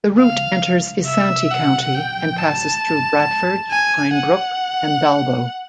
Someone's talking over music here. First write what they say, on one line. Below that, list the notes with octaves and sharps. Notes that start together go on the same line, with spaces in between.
The route enters Isanti County and passes through Bradford, Pine Brook, and Dalbo.
F5
E5
F#5
G5
A5
G#5
F#5